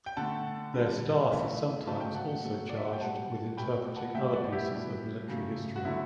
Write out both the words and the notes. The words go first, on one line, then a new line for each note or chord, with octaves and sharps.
Their staff is sometimes also charged with interpreting other pieces of military history.
G5
D3 A3 F#5 A5
D3 G3
C#3 E3 A3
C#3 F#3 A3 A5
G5
F#5 A5
B2 F#3 A3
D5
E5
F#5
G5
B2 G3 F#5 A5
B2 A3 G5 B5
F#5 A5
A2 G3 E5 G5
D5 F#5
E4 G4
B2 G3
C#3 F#3 A3
F#4
D3 F#3 A3 E4